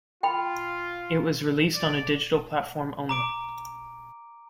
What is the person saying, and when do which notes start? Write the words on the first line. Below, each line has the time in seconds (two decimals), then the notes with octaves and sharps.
It was released on a digital platform only.
0.23 F4 G5 B5
1.75 D5
3.09 A#5 D6 D7